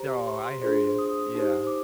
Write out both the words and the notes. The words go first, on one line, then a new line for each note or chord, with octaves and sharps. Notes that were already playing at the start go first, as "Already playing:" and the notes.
Oh, I hear you, yeah.
Already playing: G4 C5 A#5
C6
C6
D4 F4 G#4 C5
D#6
D#4 G4 C5
D6